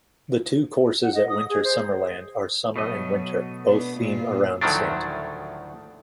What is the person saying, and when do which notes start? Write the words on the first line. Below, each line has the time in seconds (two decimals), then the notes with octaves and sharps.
The two courses at Winter Summerland are Summer and Winter both theme around Santa.
1.03 F#5
1.15 D#5
1.29 D#6
1.49 G#4
1.64 C5
2.76 B2 F#3 A3 D#5
3.66 B3 D4
3.98 A#2 F4
4.61 D2 A2 D#3 F3 F#3 D4